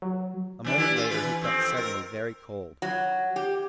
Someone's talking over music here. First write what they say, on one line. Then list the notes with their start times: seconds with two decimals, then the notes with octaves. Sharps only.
A moment later he felt suddenly very cold.
0.02 F#3
0.65 E3 D4
0.78 E4 G4
0.96 F4
1.11 E3 B4
1.41 F2 C4
1.77 A#4
2.82 F#3
3.36 G4